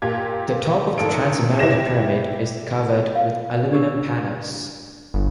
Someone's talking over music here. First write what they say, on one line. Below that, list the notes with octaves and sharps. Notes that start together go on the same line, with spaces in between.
The top of the Transamerica Pyramid is covered with aluminum panels.
A#2 G4 G#6
G#1 A4 D7
E4 G4 B4 A#6 E7
F5
D4 G4 E6
G1